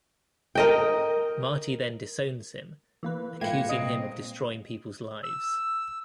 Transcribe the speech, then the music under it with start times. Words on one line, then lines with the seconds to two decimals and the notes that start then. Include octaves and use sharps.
Marty then disowns him, accusing him of destroying peoples' lives.
0.55 A#4 D#5 G5
3.03 E3 A#3 B4
3.41 A#2 G#3 B4 F5 G5 G#6 C#7
3.69 C2 A#2 C4 D#5
5.22 E6